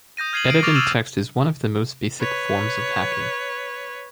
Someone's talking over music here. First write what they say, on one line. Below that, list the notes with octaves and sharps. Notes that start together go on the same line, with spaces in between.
Editing text is one of the most basic forms of hacking.
D#6 G6 A#6 D#7
F6 G#6 C7 D#7 F#7
C7 D7
C#6 D6 F6 A6 A#6 F7
E6 F6 A6 D#7 E7 F#7
B4 C#5